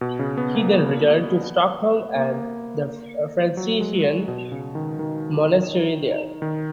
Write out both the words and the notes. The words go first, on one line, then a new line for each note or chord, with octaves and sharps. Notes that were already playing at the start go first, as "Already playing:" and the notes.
He then returned to Stockholm and the Franciscan monastery there.
B2
C#3
B3
A#3
B3
A#3
F#3
G#3
F#3
B2
C#3
D#3
D#3
D#3